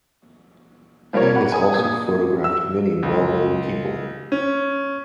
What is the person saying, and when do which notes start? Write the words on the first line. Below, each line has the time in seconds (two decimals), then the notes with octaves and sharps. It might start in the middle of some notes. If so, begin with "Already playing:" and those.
He has also photographed many well-known people.
1.13 F3 G3 A#3 A#4 C#5
1.36 F#5 B5
1.52 G#5 D#6
1.74 A#2 D#6 G#6
2.44 E6
3.03 C#2
4.32 C#4